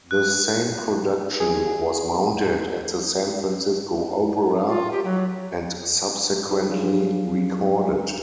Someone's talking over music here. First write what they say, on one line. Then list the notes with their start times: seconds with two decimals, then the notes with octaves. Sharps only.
The same production was mounted at the San Francisco Opera and subsequently recorded.
0.11 F#6
1.40 G#4
4.69 F4
4.92 G4
5.04 F#3
6.49 D#4 F#4 G#4 C5 E5
6.69 F3 F#3 D4 F4 G#4 F5